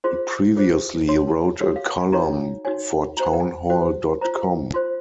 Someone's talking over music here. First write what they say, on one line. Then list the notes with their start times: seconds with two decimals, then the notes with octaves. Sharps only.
He previously wrote a column for Townhall dot com.
0.04 F4 G#4 C5 C6
0.57 F4 G#4 C5
1.08 F#4 C#5 C6
1.61 F#4 C#5
1.76 F5
1.88 F#5
2.01 G#5
2.12 D#4 F#4 C#5 A#5
2.65 D#4 F#4 C#5 G#5
3.17 F#4 A#5
3.20 C5 G#5
3.33 F#5
3.40 G#5
3.70 F#4 C5
4.21 F4 C5 A#5
4.74 F4 C5 C6